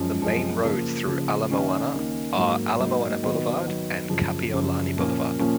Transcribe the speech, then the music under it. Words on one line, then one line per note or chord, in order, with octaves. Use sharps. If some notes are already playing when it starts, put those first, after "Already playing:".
The main roads through Ala Moana are Ala Moana Boulevard and Kapiolani Boulevard.
Already playing: F#2 F3 G#3 C#4
F#2 F3 G#3 C#4
C#3 F3 A#3
C#3 F3 A#3
D#3 A#3 C#4
D#3 A#3 C#4
G#2 F#3 A#3 D#4
G#2 F#3 A#3 D#4
D#3 F#3 B3
D#3 F#3 B3
F#2 C#3 F3
F#2 C#3 F3
A#2 F3 A#3 C#4
A#2 F3 A#3 C#4